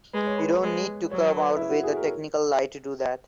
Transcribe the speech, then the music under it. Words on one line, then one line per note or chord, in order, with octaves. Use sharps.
You don't need to come out with a technical lie to do that.
G#3 B4
C#5
B4
B4
G#3
F#3 C#5
B4
E4
F#4
G#4
A#4